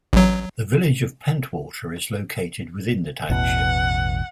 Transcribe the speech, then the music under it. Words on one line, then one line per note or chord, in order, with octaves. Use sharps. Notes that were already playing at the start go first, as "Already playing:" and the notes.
The Village of Pentwater is located within the township.
A1 F#3
A1 E2 B2 F#5